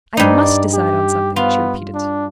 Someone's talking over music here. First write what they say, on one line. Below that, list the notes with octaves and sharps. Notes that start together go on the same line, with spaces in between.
"I MUST decide on something," she repeated.
G2 D#4 D5
G4
B3 F4
D4